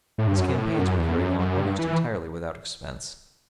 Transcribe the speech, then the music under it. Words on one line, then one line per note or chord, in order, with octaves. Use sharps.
His campaigns were carried on almost entirely without expense.
A2
G2
F#2
F#2
A2
F#2
E2
F#2
F#2
G2
E3